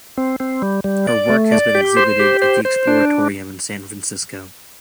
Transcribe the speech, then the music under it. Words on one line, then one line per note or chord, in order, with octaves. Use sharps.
Her work has been exhibited at the Exploratorium in San Francisco.
C4
C4
G3
G3
D5
A3
D5
G4
C5
G4
C5
C5
D4